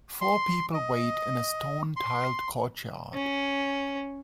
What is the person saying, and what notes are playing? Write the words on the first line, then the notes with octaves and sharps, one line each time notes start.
Four people wait in a stone tiled courtyard.
C6
D#5
C6
C#4